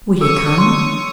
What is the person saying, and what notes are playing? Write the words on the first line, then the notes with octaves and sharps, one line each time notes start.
Would he come?
A4 B4 C#5 C#6 D#6 E6
C6